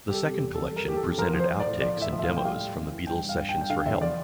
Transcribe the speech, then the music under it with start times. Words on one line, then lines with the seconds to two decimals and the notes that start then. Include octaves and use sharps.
The second collection presented out-takes and demos from the Beatles' sessions for Help!
0.08 G3 G4
0.14 A4
0.24 C3
0.34 G4
0.40 E2
0.55 F2 A4
0.71 G3
0.76 A#4
0.87 E3 G4
0.97 A4
1.03 F2
1.18 F3 A#4
1.33 F3
1.39 C5
1.50 F3
1.60 D5
1.66 A2
1.81 F3 D5
1.97 A2 E5
2.13 F3
2.19 E5
2.23 F5
2.28 A2
2.37 G5
2.44 G3 F5
2.60 G3
2.76 F2
2.91 E3
3.07 G2 G5
3.23 G2
3.29 F5
3.39 G2
3.49 G5
3.54 G2
3.61 G5
3.70 D3 F5
3.86 E2 E5
4.02 F3 D5